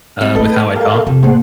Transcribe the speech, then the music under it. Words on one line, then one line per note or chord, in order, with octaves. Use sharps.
uh, with how I talk
G3 C4
A3 B3 A4 B4 D#5
G4 A4 A#4 F5
F2 C3
A2 A#3 B3 G#4 C5 F#5